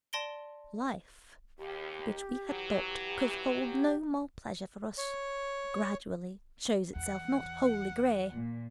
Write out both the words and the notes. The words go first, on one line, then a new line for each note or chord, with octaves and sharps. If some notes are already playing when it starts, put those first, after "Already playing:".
Life, which we had thought could hold no more pleasure for us, gradually shows itself not wholly grey.'
D5 A5 C6 A#6 D7 G7
D#2 G4
E3 F#3
G4
C#5
E2 F#5
A#2